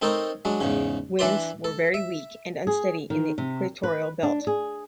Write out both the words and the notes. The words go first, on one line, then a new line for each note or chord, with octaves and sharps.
Winds were very weak and unsteady in the equatorial belt.
C4 D#4 A4 A#4 C5 C#5
F#3 G#3 D4
E2 G#2 C#3
E3 D4 E4 B4 D5 C6
A4
E5
G#4
D#3
C3
B4
D4
G#4